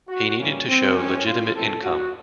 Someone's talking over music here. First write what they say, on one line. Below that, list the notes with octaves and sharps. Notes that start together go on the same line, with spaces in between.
He needed to show legitimate income.
F#4
C#3 E3 G3 A#3 C#4
C4
E3 G#3 C4 C#4
F4
C3 E3 A3 C4 A4
F#4